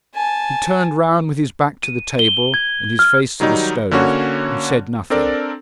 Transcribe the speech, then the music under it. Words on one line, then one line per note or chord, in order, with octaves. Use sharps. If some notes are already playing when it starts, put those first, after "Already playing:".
He turned round with his back to the table and his face to the stove, and said nothing.
G#5 A5
D#7
G7
G#6
F6
D#3 F#3 G3 D#4
D3 A#3 C#4 F#4 C#5
C4 D4 A4 A#4 D5